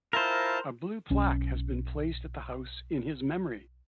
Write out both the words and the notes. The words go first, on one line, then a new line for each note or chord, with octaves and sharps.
A blue plaque has been placed at the house in his memory.
E4 F4 A#4 C5 A5
B1 C#4